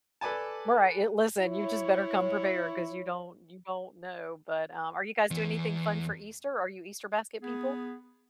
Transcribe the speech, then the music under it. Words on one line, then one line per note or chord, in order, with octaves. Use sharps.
Well, right, i listen, you just better come prepared 'cause you don't you don't know, but, um, are you guys doing anything fun for Easter? Are you Easter basket people?
A4 B4 D5 G#5 A5
E4 C#5
E2
B3 G#4